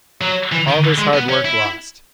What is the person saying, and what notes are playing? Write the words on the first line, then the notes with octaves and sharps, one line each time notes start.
All this hard work lost!
F#3
E3
D#3
G#3
B3
C#4
E4